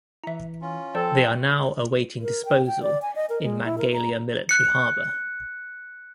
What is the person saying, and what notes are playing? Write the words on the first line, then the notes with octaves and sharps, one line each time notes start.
They are now awaiting disposal in Mangalia military harbor.
E3 E4 E5 A#5
C#4 F4
F3 C4 A4 C5 D5
A#4
G5
G5
D5
G#5
D#5
A#4
G#3
E4
A#4
A#5
F#6 C#7